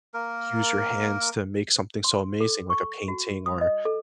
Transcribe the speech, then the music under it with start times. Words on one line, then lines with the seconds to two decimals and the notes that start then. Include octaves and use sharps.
use your hands to make something so amazing, like a painting or,
0.14 A#3 A#4
2.04 C6
2.41 A4
2.70 C#6
3.08 F#4
3.46 D#6
3.61 D#5
3.85 A4